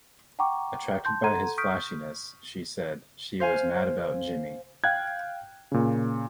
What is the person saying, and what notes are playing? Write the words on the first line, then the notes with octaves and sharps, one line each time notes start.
Attracted by his flashiness, she said, she was Mad about Jimmy.
F#5 G5 A#5 C#6 D6
A5 C6 G6
A4 F#5 A#5 C6 G#6 D#7
C#6 D#6 F6 G6 B6 D7
C5 F5 G#5
F5 G5 F#6 G#6
A#2 C#3